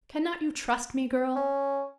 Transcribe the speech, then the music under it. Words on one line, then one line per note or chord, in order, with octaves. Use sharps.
Cannot you trust me, girl?
C#4